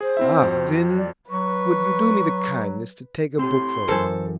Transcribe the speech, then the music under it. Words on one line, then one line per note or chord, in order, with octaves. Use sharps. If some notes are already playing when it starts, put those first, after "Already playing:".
'Ah, then would you do me the kindness to take a book for him?
G#4 C5
C4 E4 E5
F2 C4 F#4
D5
F#3 B4 C#6
A2 C4 G4 C6
F#2 E3 A4 A#4 C5 G#5